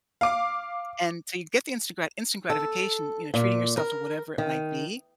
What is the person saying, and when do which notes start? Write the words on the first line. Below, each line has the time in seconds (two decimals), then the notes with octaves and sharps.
And so you get the instant grat instant gratification, you know, treating yourself to whatever it might be,
0.21 F5 D6
2.50 A4
3.34 A#2
3.78 A#4
4.38 D#3